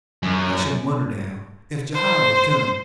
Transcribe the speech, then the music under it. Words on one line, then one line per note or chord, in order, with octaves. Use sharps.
I shouldn't wonder, now, if Jehiel would come.
F#2
C5